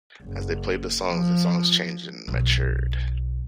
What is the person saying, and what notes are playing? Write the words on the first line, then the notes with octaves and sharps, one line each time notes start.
As they played the songs, the songs changed and matured.
F#1
F3
B1